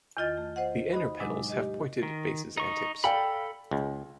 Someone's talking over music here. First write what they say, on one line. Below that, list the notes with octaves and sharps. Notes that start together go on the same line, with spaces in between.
The inner petals have pointed bases and tips.
E2 D#3 F4 D#5 A6
A3
C5 D#5 F#5
D#4 F#4 D#5 B5
A2 C3 F#3 G#3 D4 D#4
G4 D#5
D#3
D#4 C#6
A4 D5 F5 G5 B5
C#2